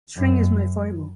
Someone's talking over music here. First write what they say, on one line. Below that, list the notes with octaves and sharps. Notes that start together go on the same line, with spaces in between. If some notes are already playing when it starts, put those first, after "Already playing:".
String is my foible.
F#2